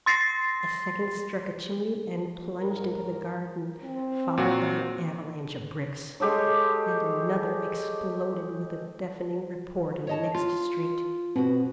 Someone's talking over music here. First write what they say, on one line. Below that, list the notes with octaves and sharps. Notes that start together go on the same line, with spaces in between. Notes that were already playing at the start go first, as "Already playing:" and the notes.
A second struck a chimney and plunged into the garden, followed by an avalanche of bricks, and another exploded with a deafening report in the next street.
C6 A6 A#6 C7
G#2 A#4
C4
A#2 F#3 F#4
G#3 G4 A4 C#5
C#5 D#5 A5
F4
B2 C4 F#4